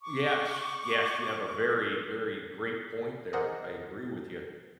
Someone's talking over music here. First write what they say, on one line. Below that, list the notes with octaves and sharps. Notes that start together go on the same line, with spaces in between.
Yes, yes, you have a very, very great point there. I agree with ya.
C#6 D6
G#4 A#4 C5 D5 D#5 F#5